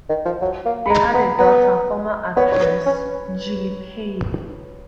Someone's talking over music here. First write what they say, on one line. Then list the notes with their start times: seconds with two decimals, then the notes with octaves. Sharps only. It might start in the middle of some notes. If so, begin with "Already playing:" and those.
They had a daughter, former actress Julie Payne.
0.09 D#3
0.25 F3
0.41 F#3
0.65 A#3
0.86 B5
0.90 G#3 A#5
1.14 B3 B5
1.38 B3 A#5
2.36 B3 C#5
2.52 C#5
2.61 B4
2.86 C#4